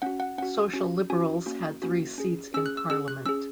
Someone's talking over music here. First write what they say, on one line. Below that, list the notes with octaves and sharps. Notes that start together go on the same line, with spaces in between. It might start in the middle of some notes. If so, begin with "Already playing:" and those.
Social-liberals had three seats in Parliament.
C#4 F#4 F#5
F#5
C#4 F#4 F#5
C#4 F#4
C#4 F#4 G#5
A#3 C#4 F#4
A#3 C#4 F#4
C#4 G#4
C#4 G#4 E6
F#6
E6
C#4 G#4 E6
F#6
C#4 G#4 E6